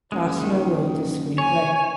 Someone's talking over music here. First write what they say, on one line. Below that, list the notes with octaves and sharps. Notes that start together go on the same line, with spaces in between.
Krasna wrote the screenplay.
F#1 G#3
D#3
C#5 G#5